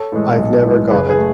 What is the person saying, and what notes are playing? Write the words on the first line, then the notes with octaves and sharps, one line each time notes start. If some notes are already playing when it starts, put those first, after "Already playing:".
I’ve never got it.
Already playing: A4 C#5
A2 E3 G#3
B1
A2 E3 G#3
F#1 G#4 B4
G#4 B4
A3